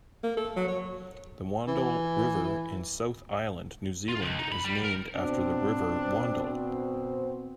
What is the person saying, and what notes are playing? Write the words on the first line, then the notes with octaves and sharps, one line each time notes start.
The Wandle River in South Island, New Zealand is named after the River Wandle.
A#3
A4
F#3
C#5
E3
F4
C#2
D#4
B5
G3
A#4
B2 C4 D4